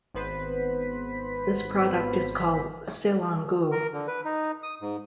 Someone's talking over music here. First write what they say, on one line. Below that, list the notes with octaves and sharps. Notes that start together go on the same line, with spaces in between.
This product is called "sailonggu".
G#1 B3 B4 C5 B6
A#4
D3
B4
D#4
D#6
G#2